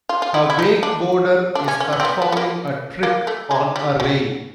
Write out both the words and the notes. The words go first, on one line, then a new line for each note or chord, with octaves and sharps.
A wakeboarder is performing a trick on a rail.
F4
F4
E4
E4
D#4
D4
D4
C#4
C#4
B3
C4
B3
B3
B3
A#3
A#3
A3
G#3
G3
F#3